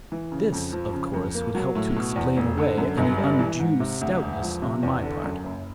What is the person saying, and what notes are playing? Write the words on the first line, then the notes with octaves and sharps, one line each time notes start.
This of course would help to explain away any undue stoutness on my part.
E3
C#3
F2
F3
C#3
F2
A#3
F#3
A2
B2
E2
F1
D3
F#2
G1
G3
E3
G#2
C3
D2
E1
F3
C3
E2
D3
F#2
F#1